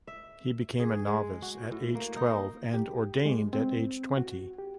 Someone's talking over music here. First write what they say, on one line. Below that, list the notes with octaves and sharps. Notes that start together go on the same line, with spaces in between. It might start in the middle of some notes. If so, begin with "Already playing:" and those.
He became a novice at age twelve, and ordained at age twenty.
E5
G#4
G#3
F#4
A2
A#3
D#4
G4
G#3
C4
F#4
G4